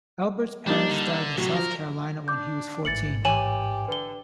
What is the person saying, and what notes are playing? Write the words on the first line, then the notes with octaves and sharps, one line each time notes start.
Elbert's parents died in South Carolina when he was fourteen.
G3 A#3 D4 D#4
D3
A2 C3 F#3
F3 A#4
D4 D6 G6
A1 G#2 E3 A6 C#7 F#7
E3 G4 C#5 G#5 E7 F#7
D3 B4 G7